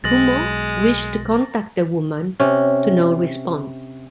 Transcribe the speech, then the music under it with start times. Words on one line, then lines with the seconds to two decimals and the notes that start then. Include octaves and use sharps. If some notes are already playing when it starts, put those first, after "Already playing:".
Cuomo wished to contact the woman, to no response.
0.04 B1 G#3 A6 A#6 F#7
2.40 C3 C#4